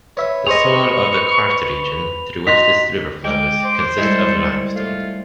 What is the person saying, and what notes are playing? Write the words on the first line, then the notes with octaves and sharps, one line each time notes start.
The soil of the karst region, through which this river flows consists of limestone.
B4 C#5 E5
G#4 C5 D#5 C#6 F7
D#4 F#4 C6 B6 F7
G#3 G5 D6
C5
C2 G#3 E4 A4
A3 F4